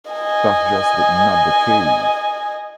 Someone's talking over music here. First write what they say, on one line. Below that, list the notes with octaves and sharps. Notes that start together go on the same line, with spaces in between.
That's just not the case.
D#5 G#5